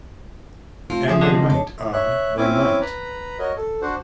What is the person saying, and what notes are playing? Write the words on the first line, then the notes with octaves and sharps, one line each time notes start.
And they might, ah, they might!
A3 C4 F4
C3 F3 G#4 A4 E5 D6 D#6
D3 C4 D4 D#5
C#2
F2 C#5 A5
C#5 E5 F#6
C4 C#4 E4 C#5 G#5 D6
B4 A#5 B5
F#4 A#4 C#5 D#5
A4
D4 F#4 C5 F#5